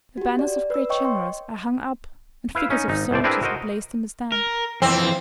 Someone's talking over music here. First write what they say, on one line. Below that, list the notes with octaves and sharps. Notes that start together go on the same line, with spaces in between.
The banners of great generals are hung up, and figures of soldiers are placed on the stand.
F#4 G4
D5
B4 E6
C#5 D#5 G5 C#6
C6
E4 B4 F5
C#4 D#4
G#1 D#4
C2 A2 C5 D5
C4 D4 E4 G#4 A#4 B4
F#4 A#4 C5 D#5
A#4
F2 E3 C4